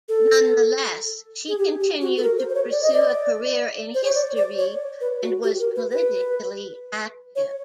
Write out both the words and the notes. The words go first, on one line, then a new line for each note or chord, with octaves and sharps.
Nonetheless, she continued to pursue a career in history and was politically active.
A4
G#4
G4
G4
F#4
A4
A#4
C5
C5
C#5
D5
D#5
D5
C5
C#5
D5
D5
C#5
B4
F#4
G4
A#4
B4
B4
C#5